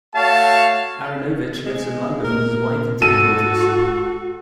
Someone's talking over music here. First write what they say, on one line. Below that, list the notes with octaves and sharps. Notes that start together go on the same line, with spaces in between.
Aaronovitch lives in London with his wife and three daughters.
A3 F#4 C#5 F5 A5
G#3
A#2 A#4
G#2 F#4 A4 D#7